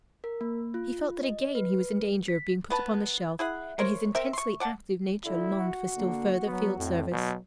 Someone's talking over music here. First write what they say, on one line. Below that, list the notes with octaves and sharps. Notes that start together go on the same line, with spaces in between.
He felt that again he was in danger of being put upon the shelf, and his intensely active nature longed for still further field service.
A#4
A#3
F4
D#5
B4
B6
B3 B4 A5
E4 G#4 F#5
A#4 C5 C#5
C4 A#4 E5
C6 C#6
D5 F#5 A5
D3 E4
F#4
D3 A#3
F#3 B3
F2 A2
B2 F#3